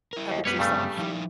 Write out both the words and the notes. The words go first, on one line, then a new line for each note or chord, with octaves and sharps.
How about yourself?
E4 A#4
D#2
F#2 G3 G#3 B3 B4 C#5
G2 C#3 A3
F3 D#4 E4